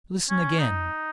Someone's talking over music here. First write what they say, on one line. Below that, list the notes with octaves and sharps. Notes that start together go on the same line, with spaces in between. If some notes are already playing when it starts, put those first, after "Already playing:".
Listen again.
C#4
D#4